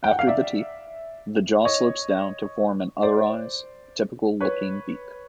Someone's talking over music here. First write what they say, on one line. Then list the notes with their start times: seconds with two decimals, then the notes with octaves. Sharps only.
After the teeth, the jaw slopes down to form an otherwise typical-looking beak.
0.04 G5
0.11 F#5
0.19 F5
0.27 D5 E5
1.65 C#5 D#5
3.03 C5 D5
4.41 B4 C#5